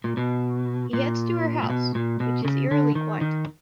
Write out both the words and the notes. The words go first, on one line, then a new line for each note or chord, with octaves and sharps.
He heads to her house, which is eerily quiet.
A#2
B2
A#2
A#2
B2
A#2
B2
C#3
D3
D#3
D#3